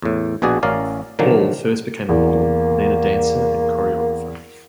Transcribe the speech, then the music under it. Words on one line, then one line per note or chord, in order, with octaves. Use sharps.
Paul first became a model, then a dancer and choreographer.
E2 A2
A#1 B2 F#4 G#4 D5
A1 C#4 A#4 D5 F5
A#2 D3 D#3 F3 F#3 A#3
E2 A#3